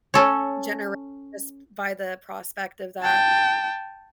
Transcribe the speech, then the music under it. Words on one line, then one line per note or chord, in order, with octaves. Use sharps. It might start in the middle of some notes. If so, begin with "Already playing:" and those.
generate sp by the prospect of that,
C#4 A4 C#5
G5 A5